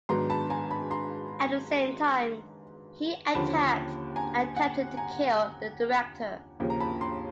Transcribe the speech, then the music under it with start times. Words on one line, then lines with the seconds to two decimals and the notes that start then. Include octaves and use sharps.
At the same time he attacked and attempted to kill the Director.
0.09 G#2 D#3 F#3 B3 D4 A#5 C6
0.30 A5 B5
0.50 G#5 A#5
0.70 A5 B5
0.90 A#5 C6
3.34 D#2 D3 F3 A#3 C#4 A5 B5
4.16 G#5 A#5
4.56 F#5 G#5
4.97 G#5 A#5
6.60 D#2 C#3 F3 A#3
6.70 A#5
6.80 A5 B5
7.01 A#5 C6